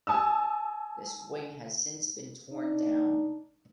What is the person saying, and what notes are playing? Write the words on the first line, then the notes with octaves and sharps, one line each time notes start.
This wing has since been torn down.
G#5 A5 D#6 E6
D4 D#4